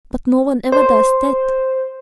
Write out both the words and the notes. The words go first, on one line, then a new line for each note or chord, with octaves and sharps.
"But no one ever does that!"
C5